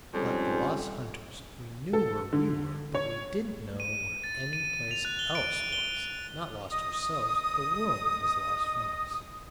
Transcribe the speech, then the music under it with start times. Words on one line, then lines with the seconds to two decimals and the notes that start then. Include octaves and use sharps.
Like the lost hunters, "we knew where we were, but we didn't know where any place else was." Not lost ourselves, the world was lost from us.
0.14 F2 G#2 G3 C#4
1.93 A4
2.33 D3
2.95 C#5
3.80 D#7
4.24 A6
4.53 D#7
4.91 F7
5.05 F#6
5.19 G7
5.35 D7
5.73 G7
6.72 D#5 D#6